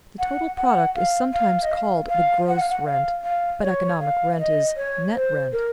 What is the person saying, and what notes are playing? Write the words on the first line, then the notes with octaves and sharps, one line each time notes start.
The total product is sometimes called the "gross rent," but economic rent is "net rent."
F#5
F#5
F5
F5
D#5
F5
F5
F#5
F5
F#5
F5
F5
C#5
F5
D#5
C#5
C5
A#4